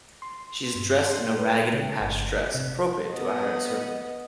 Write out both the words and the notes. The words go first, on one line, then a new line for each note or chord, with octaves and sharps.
She is dressed in a ragged and patched dress, appropriate to a hired servant.
C6
G2
C6
B4
C#3
G1
C3
B3 D#5